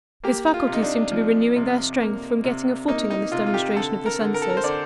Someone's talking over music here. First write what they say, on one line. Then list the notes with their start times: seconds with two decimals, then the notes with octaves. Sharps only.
His faculties seemed to be renewing their strength from getting a footing on this demonstration of the senses.
0.24 A#3 G4
0.54 F4
0.67 C3
0.73 D#4
0.83 D4
1.12 F3
1.56 C3
2.01 A#3
2.44 C3
2.88 A#3 D#4
3.10 D#4
3.32 C3 F4
3.46 F4
3.54 G4
3.75 D3 A4
4.06 A#4
4.20 D3
4.34 A#4
4.42 A4
4.50 A#4
4.57 C5
4.64 D3 D5